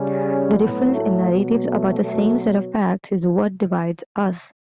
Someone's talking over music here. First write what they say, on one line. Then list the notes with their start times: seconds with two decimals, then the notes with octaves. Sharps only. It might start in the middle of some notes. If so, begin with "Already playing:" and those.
The difference in narratives, about the same set of facts, is what divides us.
Already playing: C#3 G3 C#4
0.58 A2 F#3 B3
0.93 A3
1.29 B2 F#3
1.66 A3
2.01 B2 F#3 A3